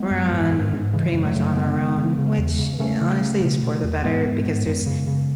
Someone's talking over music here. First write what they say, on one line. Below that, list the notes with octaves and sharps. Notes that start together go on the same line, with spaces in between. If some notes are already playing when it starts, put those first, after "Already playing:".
we're on pretty much on our own, which i honestly is for the better, because there's
Already playing: G#3 B3
F#2
G#2
G#2
G#2
C#3 E3 G#3
F#2
F#3 A3
C#3
F#2 G#3 B3
C#3
C#3
C#3
E2
C#3
C#3 A3 C#4
C#3
C#3
B2
B2
E2
G#2 G#3 B3
G#2
G#2
F#2
C#3
C#3